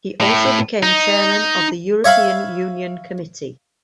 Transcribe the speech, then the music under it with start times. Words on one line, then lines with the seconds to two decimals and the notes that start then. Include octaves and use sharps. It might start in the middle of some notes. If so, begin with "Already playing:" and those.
He also became Chairman of the European Union Committee.
0.20 A2
0.83 D#4
2.04 C#5 E5 F5 B5